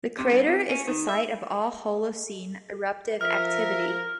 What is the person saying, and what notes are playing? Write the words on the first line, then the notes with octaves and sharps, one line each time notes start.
This crater is the site of all Holocene eruptive activity.
C3
G2
C3
C#4
D#3
E5
F3 A#4 E5 F6